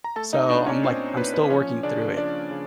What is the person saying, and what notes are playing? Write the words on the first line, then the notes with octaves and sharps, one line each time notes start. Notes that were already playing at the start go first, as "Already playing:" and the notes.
So, I'm, like, I'm still working through it,
A#5
A3 A4 A5
D#4 D#5
D#5
A#2 D4 D5
C#4 C#5
A#2 C4 C5
A#2 B4
B4
F3 C#4 C#5
C#3 D4 D5
F3 D4 D5
C#3